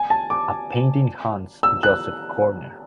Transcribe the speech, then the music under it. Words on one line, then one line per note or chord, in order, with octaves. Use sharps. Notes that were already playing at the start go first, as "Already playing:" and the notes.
A painting haunts Joseph Koerner.
Already playing: G#5
A5
D6
E6
F#6